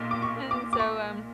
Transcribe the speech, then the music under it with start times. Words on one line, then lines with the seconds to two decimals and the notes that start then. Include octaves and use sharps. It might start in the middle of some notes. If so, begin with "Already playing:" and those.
And so, um
Already playing: B1 A#2
0.11 D6
0.22 C#6
0.51 D6
0.73 D6
0.79 C#6